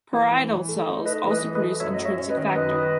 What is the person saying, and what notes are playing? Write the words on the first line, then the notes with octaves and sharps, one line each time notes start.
Parietal cells also produce intrinsic factor.
E3
E3
E3
A3
D#4
A3 B4 D#5
E3
B4 D#5
E3
B4 D#5
A3
F#2 C#5 E5
F#3 D#5
C#5 E5
C#4
B4 D#5
D#3
F#2 B4 D#5
D#3